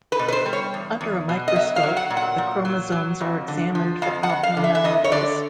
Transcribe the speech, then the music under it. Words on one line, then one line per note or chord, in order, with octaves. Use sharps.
Under a microscope the chromosomes are examined for abnormalities.
B4
B2
B4
C5
G3
C#5
E2
E2
B2
D#5
F#3 E5
F5
F#3
F#5
A#2
F#5
A#2
F#3
F#3
F2
D3
F3
F2 F5
F#5
F2
F5
D3
E5
E5
F2 D#5
C#5
D3 D5